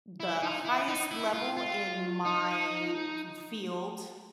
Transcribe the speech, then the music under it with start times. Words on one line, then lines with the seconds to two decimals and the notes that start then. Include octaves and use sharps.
the highest level in my f field,
0.20 E4
0.42 D#4
0.65 E4
0.88 D#4
1.11 E4
1.33 F4
1.57 F4
2.25 D#4